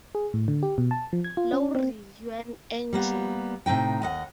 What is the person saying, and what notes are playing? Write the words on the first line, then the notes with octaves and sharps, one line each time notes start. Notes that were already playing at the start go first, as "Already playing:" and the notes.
Laurie, you're an angel!
G#4
A2
D3
G4
B2
A5
F3
G#6
F4
C#4
C4
G3 A#3 B3
A2 C3 D#4 G5
D#2 D#5 F#5